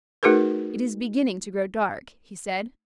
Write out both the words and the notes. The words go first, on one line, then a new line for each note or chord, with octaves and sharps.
"It is beginning to grow dark," he said.
A3 D#4 F#4 G#4 A#4 B4